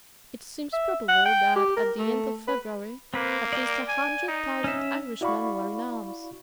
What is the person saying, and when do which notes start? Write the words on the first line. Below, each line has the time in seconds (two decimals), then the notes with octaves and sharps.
It seems probable that, at the end of February, at least a hundred thousand Irishmen were in arms.
0.72 E5
1.08 F#5
1.25 G5
1.56 G4
1.76 A#4
1.99 A3
2.47 B4
3.14 A#3 C4 B4
3.53 D5 G5
3.89 G#5
4.28 D#4
4.64 C#4 E5
5.21 E4 F#4 D5 F5 B5 C#6